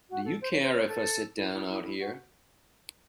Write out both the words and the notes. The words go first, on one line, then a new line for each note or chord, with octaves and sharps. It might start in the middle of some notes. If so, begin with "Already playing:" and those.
Do you care if I sit down out here?
F#4
A4
C5
C#5
C5
C#5
A4
E4
E4
E4
E4
F#4